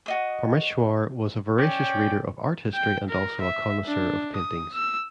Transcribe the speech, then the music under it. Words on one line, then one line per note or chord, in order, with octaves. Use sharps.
Parmeshwar was a voracious reader of art history and also a connoisseur of paintings.
F#4 D#5 D#6
C#4 C#5 D5 G5
G5
A#4
E5
D4
D#6
E6